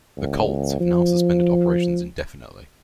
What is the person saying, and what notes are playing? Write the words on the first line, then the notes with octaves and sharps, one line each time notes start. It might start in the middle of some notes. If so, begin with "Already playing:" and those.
The Colts have now suspended operations indefinitely.
C#2
F3